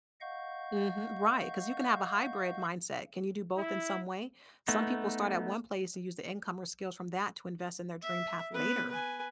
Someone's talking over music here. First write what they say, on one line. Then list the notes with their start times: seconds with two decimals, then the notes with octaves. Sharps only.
Mhm, right 'cause you can have a hybrid mindset, can you do both in some way? Some people start at one place and use the income or skills from that to invest in their dream path later.
0.21 D#5 F5 F#5 C#6 G6
3.57 E4
4.68 A3 B3 D#4
8.02 E5
8.52 B3 B4
8.89 B4 G#5